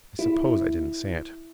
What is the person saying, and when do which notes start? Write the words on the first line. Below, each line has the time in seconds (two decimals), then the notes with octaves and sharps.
I suppose I did say it.
0.19 E4